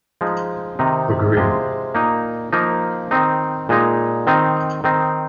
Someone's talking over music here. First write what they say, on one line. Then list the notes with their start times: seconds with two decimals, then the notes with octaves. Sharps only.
The green!
0.21 F3 G#3 D#4
0.79 C3 D#3 C4 D#4
1.37 C3 G#3 F4
1.95 A#2 A#3 D#4
2.53 F3 A#3 D#4
3.11 D#3 C4 D#4
3.69 A#2 G#3 D#4
4.27 D#3 C4 D#4
4.84 D#3 C4 D#4